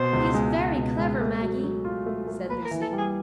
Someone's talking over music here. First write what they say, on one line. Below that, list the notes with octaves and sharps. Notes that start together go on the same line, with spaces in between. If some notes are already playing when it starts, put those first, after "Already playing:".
"He is very clever, Maggie," said Lucy.
Already playing: B2 C5
C#2
G#3
G#3
B2
G#3
A3
F#3
F#3
F4
A3
A3
A#3 B4
A#4
E3
A4
G3
G#4